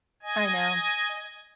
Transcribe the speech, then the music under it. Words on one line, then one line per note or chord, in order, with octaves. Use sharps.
I know,
D#5 G#5